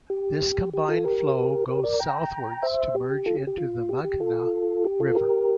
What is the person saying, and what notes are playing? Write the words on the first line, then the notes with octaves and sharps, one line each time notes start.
This combined flow goes southwards to merge into the Meghna River.
G4
G4
F4 A4
G4 A#4
G4 A#4
A#4 D5
G5 A#5
C5 E5
G4
F4 A4
G4
G4
F4
G4
G4
F4 A4
G4
F4 A4
G4 A#4